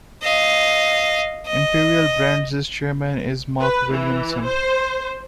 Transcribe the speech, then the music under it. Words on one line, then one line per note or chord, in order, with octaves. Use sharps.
Imperial Brands' chairman is Mark Williamson.
D#5 F5
D#5
B4
E3
C5